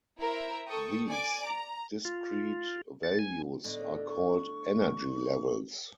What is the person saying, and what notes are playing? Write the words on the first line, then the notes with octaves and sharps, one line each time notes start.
These discrete values are called energy levels.
E4 A#4 C5 E5 A#5
A4 G5 C#6 D#6
D5 G#5 D6
A#5
F4
A6
G#5
A2 D3 B3 D#5
C#6